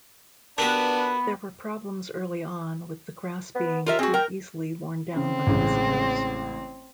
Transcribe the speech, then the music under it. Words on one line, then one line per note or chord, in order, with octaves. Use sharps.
There were problems early-on with the grass being too easily worn down by visitors.
B3 D4 F#4 G4 A#4 B4
B3
D#2 F4 A#4 E5
C4 F#4 G#4
A#4 G5
C#3 C4
A1 C#3 G#3